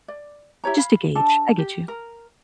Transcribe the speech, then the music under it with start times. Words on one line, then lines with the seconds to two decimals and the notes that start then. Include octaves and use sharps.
Just to gauge. I get you.
0.08 D5
0.64 E4 G4 C#5 A#5
0.77 F5 B5
1.15 D4 A4 A5
1.58 G4
1.88 A#4